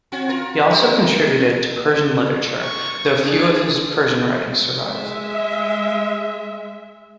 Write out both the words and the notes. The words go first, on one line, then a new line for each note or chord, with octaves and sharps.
He also contributed to Persian literature, though few of his Persian writings survive.
C4 C#4 F#4
F4 A#4
G3 G#3 D#4
C#6
D4 G#4
G#3 E5